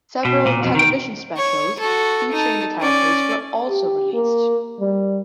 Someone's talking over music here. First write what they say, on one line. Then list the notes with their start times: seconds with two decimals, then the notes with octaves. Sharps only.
Several television specials featuring the characters were also released.
0.25 B2
0.46 A#2
0.63 F2 B2
0.75 D#3 G5
1.37 C#5
1.80 F#4 A4
2.31 D#4 A5
2.81 C#4 D5
3.69 G4
4.14 A#3
4.80 G3